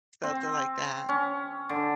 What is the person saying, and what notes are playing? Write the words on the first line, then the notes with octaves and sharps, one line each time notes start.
Something like that.
C4
C#4
D3